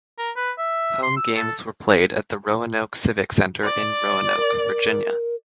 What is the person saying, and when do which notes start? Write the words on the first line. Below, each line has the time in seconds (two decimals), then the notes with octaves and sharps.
Home games were played at the Roanoke Civic Center in Roanoke, Virginia.
0.18 A#4
0.36 B4
0.58 E5
1.03 C6
1.17 E6
1.36 A4
3.63 D5
4.37 A#4